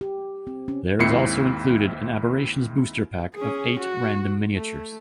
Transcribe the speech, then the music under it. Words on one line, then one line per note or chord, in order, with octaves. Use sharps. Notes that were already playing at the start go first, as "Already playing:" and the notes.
There is also included an Aberrations booster pack of eight random miniatures.
G4
C4
C#4
D#2 G#2 C4 E4 C7 C#7
C#4 G#4
F#4
A3